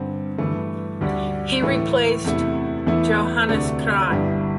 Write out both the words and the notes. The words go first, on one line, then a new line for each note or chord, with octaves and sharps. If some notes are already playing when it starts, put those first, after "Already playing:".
He replaced Johannes Kraan.
Already playing: G2 D3 C4
G2 E3 A3
D2 D3 G3 D4
A2 E3 A3
E2 C3 A3 E4
E2 E3 A3 E4
D2 C3 A3 D4
G1 G2 G3 E4